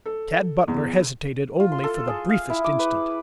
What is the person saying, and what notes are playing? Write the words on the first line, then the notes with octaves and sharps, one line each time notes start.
Tad Butler hesitated only for the briefest instant.
A4
E2
F4
C6
A4
G#4
F5
E4
D6
B4